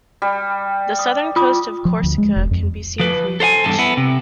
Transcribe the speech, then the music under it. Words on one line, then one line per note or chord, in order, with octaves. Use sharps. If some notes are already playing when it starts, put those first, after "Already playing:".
The southern coast of Corsica can be seen from the beach.
G3
D#6
F4 D6 D#6
F3
D2
G#3
E1
F2
F3 B4
A4 C5 F5 G#5
E2 G2 C#3 F3 A4 A5
B3 E4
C3